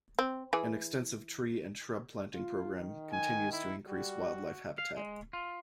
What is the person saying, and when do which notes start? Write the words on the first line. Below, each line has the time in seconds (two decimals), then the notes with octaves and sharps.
An extensive tree and shrub planting program continues to increase wildlife habitat.
0.19 C4
0.53 E3 G#4
2.34 F4
2.80 D#3
3.12 G#5
3.52 E4
3.88 G3 F#4
4.78 F5
4.97 G#3
5.33 F4